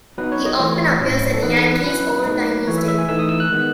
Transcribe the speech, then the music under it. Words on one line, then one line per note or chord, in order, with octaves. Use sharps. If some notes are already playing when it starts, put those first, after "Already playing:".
He often appears at Yankees' Old-Timers' Day.
F#3 B3 D#4 B4
C#5
D#5
E3 A3 E4 C#5
A2 F#3 C#4 E4
A4
E3 B3 D#4 B4
A4
B4
F#3 C#4 E4 B4
F#3 A3 D#4
E3 A3 E4 C#5
E5
E5
G#5
E3 A3 D#4 E6
D#6
E6
F#6
D#3 G#3 B3